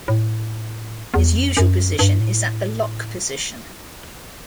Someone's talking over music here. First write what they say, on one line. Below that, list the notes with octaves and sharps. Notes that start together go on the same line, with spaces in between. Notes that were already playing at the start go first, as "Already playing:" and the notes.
His usual position is at the Lock position.
A2
E2
F2
F#2
G2
A2